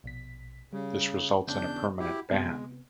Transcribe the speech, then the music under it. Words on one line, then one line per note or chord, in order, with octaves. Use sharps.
This results in a permanent ban.
A#1 B2 B6
C#3 G3
E2 C#3 C#4 D4 G6
E4 F#4 G4
C3 G#3 B3